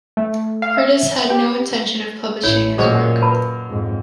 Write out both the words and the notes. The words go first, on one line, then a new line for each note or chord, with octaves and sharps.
Cordus had no intention of publishing his work.
A3
F5
E5
G4
A1 E4 C#5
F#2 A#2 G#4 C5 C#5 D#5
B4 A5 B5
F2 G#2